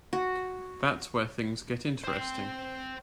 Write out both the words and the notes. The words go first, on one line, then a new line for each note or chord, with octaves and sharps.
That's where things get interesting.
F#4
C5 G5